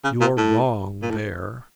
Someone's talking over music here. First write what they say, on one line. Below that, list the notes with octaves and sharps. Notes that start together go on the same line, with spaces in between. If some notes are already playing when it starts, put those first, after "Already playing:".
"You are wrong there."
C#3
A#2
A2
A#2
A2